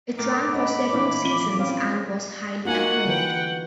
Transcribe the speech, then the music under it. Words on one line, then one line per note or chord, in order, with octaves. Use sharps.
It ran for several seasons and was highly acclaimed.
A2 A#4 D6
C#4 D4 D#5 F#5 B5
A#2 E3 C#4 D#4
F3 D#7 G7
C4 C#4 F4 F5
A#3 D#4 F4 F#4 F#5 G#5
D3 E3 F4 B4 G5